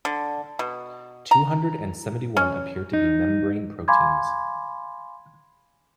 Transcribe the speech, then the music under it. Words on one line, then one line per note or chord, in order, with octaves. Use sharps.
Two-hundred and seventy one appear to be membrane proteins.
D3
B2
A#5
C#4
D#4
F5 G#5 B5 C6 D6 G#6